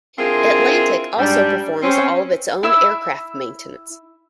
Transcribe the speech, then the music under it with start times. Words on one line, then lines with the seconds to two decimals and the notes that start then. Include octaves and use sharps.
Atlantic also performs all of its own aircraft maintenance.
0.18 C4 D4 E4 F4 G#4 A#4
1.17 G#2 G3 D4
1.82 C4 C#4
2.63 E4 E5 E6